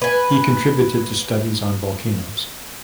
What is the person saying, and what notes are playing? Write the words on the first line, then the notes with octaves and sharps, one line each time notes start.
He contributed to studies on volcanoes.
B4 G#5